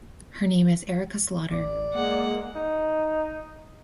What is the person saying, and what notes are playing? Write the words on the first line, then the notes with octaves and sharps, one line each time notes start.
Her name is Erica Slaughter.
A1 D5
G#3 A#3 F#5
D#4